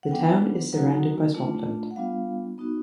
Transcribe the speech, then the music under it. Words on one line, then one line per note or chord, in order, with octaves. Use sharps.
The Town is surrounded by swampland.
F#5
F#3 B3 D4 G5
F#3 A#3 D#4 F#4 F#5
A3 D4 F4
F#5
G3 B3 D4 F4 F5
B3 D#4 F#4